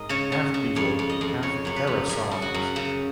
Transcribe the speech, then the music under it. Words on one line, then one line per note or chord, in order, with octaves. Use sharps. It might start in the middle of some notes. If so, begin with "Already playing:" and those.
Half Beatle, half Harisongs.
Already playing: G#2 G#4 A#4 D#5
C#3 C#5
C#3
C#3
F2 C#5
F2
D#5
F2
C#3 C#5
F#2 C#5
B4
F#2
F#2 G#4
C#3
F#4
F#2
C#3